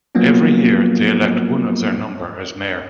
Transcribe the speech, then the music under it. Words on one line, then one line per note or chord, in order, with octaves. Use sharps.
Every year, they elect one of their number as mayor.
F3 F#3 A#3 B3 C#4 F4